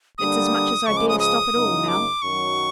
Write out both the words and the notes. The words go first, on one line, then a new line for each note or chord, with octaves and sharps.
It's as much as I dare stop at all now.'
D3 G3 A#3 D4 D#6
C#2 C#3 F3 G#3 C#6
D6
D#6
D#6
F#2 C#3 F#3 A#3 D#4
D6
F#2 D#3 F#3 C#6